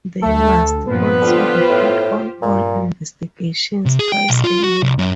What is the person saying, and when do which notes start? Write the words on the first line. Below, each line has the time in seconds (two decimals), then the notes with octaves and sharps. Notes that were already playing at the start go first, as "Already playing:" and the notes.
They must also report on all investigations twice a year.
0.22 D2 A3 A4
0.88 G2 A#2 F3 B3 B4
1.21 D3 F4 G4 C5
1.70 A2
2.42 G2 A#2
3.86 C3
3.99 G#4
4.12 G5
4.29 B1
4.44 F4
4.63 F#4
4.83 C2
4.99 F#2